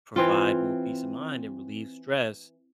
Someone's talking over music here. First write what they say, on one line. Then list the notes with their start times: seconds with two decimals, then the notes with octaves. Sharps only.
provide more peace of mind, and relieve stress,
0.16 E3 C4 F4